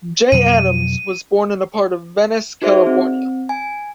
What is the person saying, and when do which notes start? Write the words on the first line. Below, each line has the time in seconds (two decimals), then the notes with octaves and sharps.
Jay Adams was born in a part of Venice, California.
0.32 F2 B2 F#3 D#7
2.62 D#4 F#4 G#4 C5 D5 E5
2.87 C4
3.49 G#5